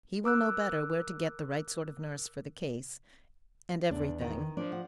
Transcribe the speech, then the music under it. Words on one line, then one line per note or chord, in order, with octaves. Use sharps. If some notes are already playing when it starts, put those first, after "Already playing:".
"He will know better where to get the right sort of nurse for the case--and everything."
A#4 D6 E6 F#6
E2 D4
D#3
F3 D4
F#5